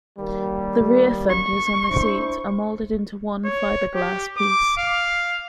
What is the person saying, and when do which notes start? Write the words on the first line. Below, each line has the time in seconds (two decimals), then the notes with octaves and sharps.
The rear fenders and seat are molded into one fiberglass piece.
0.17 D#2 G3 A#3
1.30 C#6
1.89 D4 E4 C5
3.45 C#5
3.94 G4
4.37 D6
4.77 F5